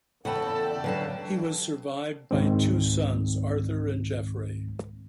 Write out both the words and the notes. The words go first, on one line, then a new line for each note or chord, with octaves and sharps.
He was survived by two sons, Arthur and Jeffrey.
E2 C#3 A4 B4 F#5 G5 A5
D5
D3 F#3 B4 F5 A5
C#2 G#2 D#3 G#3 C4